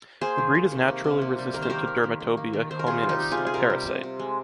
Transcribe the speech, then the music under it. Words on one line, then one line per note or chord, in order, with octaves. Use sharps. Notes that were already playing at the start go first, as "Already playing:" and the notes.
The breed is naturally resistant to Dermatobia-Hominis, a parasite.
A#3 G#4 C5
D#3
D#3
C3
A#3
C3
A#3
G3
D#3 A#4
C5
A#3 G4 A#4
D#3
D#3
D#3
A#3
D#3
D#3 C5
A#4
C3 F4 G#4
G3
D#4 G4
G3
F4 G#4
C3
G#4
C3 G4 A#4
G3
C3
C3
G#3